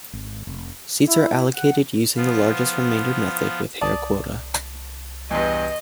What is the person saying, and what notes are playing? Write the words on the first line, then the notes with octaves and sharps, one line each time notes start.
Seats are allocated using the largest remainder method with Hare quota.
G#1
F1
E4
F#5
F3 B3 F4
C2 D5 A5 D#6
E2 G2 D#5